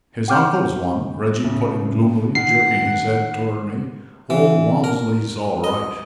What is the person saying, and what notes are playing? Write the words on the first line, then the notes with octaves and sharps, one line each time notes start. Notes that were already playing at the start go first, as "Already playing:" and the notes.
"His uncle's one," Reggie put in gloomily, jerking his head toward me. "Old Walmsley's all right."
F#5 G5 D6 F6 G6
A2 C#3
D#3 F#5 C7
E3
A#4
D#5